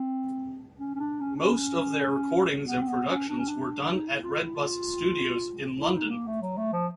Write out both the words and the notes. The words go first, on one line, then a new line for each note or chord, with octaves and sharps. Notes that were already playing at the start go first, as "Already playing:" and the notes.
Most of their recordings and productions were done at Red Bus Studios in London.
Already playing: C4
C#4
C#4
D4
C#4
D4
C#4
B3
C4
B3
C#4
D4
C#4
D4
D#4
E4
F4
E4
F4
E4
D#4
A#3
A3
F#3
A3
F3